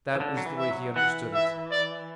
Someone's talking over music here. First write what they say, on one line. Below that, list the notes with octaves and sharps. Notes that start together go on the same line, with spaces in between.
That is the way he understood it.
E3
D3
F#3
E3
E5
F#3
E3 F#5
E5
D5